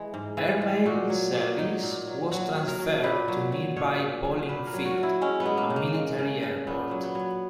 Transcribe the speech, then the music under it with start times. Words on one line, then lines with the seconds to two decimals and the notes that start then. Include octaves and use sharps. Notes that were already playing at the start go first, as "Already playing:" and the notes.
Airmail service was transferred to nearby Bolling Field, a military airport.
Already playing: E3 G#3
0.14 G#2
0.37 E3
0.62 G#3
0.86 A#2 F#4
1.10 F#3
1.34 A#2
1.58 F#3 D#4
1.83 A#2
2.07 F#3
2.31 F#3 F#4
2.55 F#3
2.68 A#4
2.79 F#3
3.03 A#2 B4
3.28 F#3
3.52 F#3
3.77 A#2 C#5
4.00 A#2
4.25 F#3
4.49 A#2 B4
4.67 A#4
4.74 F#3
4.85 F#4
4.98 F#3
5.03 E4
5.22 G#3 C#4
5.40 B3
5.46 G#3
5.57 A#3
5.70 C#3
5.76 A#3
5.95 G#3
6.19 C#3
6.43 C#3
6.67 A#2 B3
6.91 F#3
7.03 B3
7.15 F#3